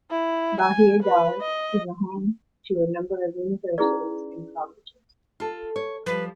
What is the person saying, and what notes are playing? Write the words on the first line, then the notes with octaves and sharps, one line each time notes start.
Bahir Dar is home to a number of universities and colleges.
E4
G#5
B4
D#5
C#4 D#4 E4 G#4 B4 D5
F4 A4
C#5
F3 G3 B4